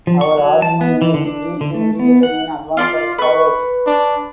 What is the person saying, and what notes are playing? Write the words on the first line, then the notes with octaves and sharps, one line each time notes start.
Our argument may be briefly indicated in advance as follows.
F3
C#6
F#3
A5
B3
E3
D3
D4
D3
A3
B3
F#5
F4 D5 C6
B4 C#6
D4